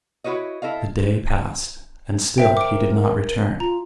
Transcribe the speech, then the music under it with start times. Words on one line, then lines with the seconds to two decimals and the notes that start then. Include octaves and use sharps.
The day passed, and still he did not return.
0.24 E4 F#4 B4 C#5 D#5
0.62 E4 A4 D#5 F5
2.38 A#4 C5 E5 G5
2.57 D6 D7
3.60 F4 A#5